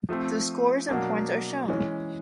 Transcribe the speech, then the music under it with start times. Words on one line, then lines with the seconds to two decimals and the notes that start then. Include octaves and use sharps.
The scores in points are shown.
0.09 F3 A3 C4
0.88 B2 F#3 A#3 D4
1.68 E3 G#3 C#4